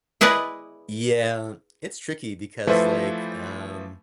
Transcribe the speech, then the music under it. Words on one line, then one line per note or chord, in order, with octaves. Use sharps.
Yeah, it's tricky because, like, um,
E4 G#4 B4 D5 D#5
E3 F3 A3 B4 C5 E5